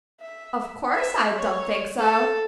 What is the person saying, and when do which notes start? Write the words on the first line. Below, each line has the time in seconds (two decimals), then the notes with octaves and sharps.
'Of course I don't think so!
0.20 E5
0.95 E5
1.38 C#5
1.98 A4